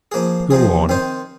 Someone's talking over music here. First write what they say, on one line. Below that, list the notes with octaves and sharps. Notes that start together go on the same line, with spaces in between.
Go on.
F3 A#3 G#4
C3 F3 C4 G#4
D#3 C4 D#4 C5